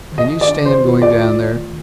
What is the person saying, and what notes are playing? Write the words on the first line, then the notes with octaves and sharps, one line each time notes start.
Can you stand going down there?
D#3
D#5
D#3
D5
D4
D#3 C5
F4
F4 D5
F4
A3
D#3